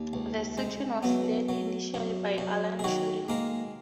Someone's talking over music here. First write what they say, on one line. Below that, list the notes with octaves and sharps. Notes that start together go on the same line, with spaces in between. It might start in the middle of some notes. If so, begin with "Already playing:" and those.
The section was led initially by Alan Turing.
Already playing: D#2
C#2
G#3
F#3 B3
F#3
F#2
F#2
G#4
D#3 F#3 F#4
G#3 A#3 A#4